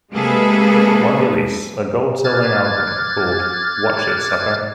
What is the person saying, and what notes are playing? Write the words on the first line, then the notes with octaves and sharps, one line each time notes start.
One release, a gold-selling album called Watch It, Sucker!
C3 G#3 A#3 G#4 A4 B4
D6 F6 F#6 G#6 A6